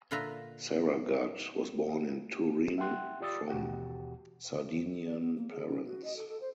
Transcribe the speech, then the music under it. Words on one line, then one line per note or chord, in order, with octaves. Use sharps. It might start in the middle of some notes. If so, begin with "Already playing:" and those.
Saragat was born in Turin, from Sardinian parents.
A#2 D3 F4 B4 E5 A#5
E5 F#5 G5 C6 F#6
F4 G4 D5 D#6 E6 A6
D#2 B2 E3 F#4 G4 F#5
D5
B3
A#3
G#4
C#4
F#4
D#5
A4
A4
C5